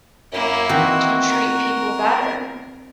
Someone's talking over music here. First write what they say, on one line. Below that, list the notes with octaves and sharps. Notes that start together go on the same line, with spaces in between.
to treat people better,
F#2 A#3 E4
D#3 E3 C4 F#4
A#4